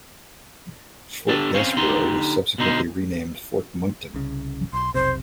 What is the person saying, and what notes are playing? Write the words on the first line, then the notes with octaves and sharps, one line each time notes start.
Fort Gaspareaux was subsequently renamed Fort Monckton.
D4 G4 A4 D5
C4 C#4 C5 C#5 F5
D3 D#4 G4 C6
B2 D3 D#4 C5
C2 C#3
B1 C6
F1 B1 C3 C5